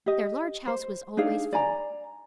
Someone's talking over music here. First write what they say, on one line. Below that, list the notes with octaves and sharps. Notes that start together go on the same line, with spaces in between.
Their large house was always full.
G4 D#5
C5
D4 D#4 G#4 F5
D5 G#5 A#5